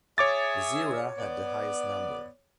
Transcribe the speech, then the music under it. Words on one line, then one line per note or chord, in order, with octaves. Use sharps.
Gezira had the highest number.
G#4 C#5 E5 D6 A6
B3 D5